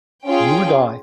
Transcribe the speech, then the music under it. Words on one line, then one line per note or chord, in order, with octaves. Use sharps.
You and I.
C#4 F4 G#4 G5